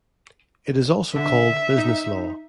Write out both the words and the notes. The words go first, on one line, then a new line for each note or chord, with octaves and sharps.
It is also called business law.
D3 E5
D#4